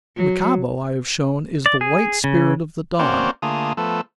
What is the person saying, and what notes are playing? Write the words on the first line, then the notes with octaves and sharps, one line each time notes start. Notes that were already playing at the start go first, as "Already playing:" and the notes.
Michabo, I have shown, is the white spirit of the Dawn.
F#3
D5
G#4
C#3
A#3 C4 C#4 F#4 C5 D5
D3 A3 A#3 F4 G#4 D#6
F3 A3 B3 A4